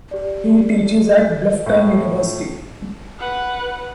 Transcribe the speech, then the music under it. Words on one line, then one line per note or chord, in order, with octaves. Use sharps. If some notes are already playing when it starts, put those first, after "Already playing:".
He teaches at Bluffton University.
G4 D5
A2
B4 F#5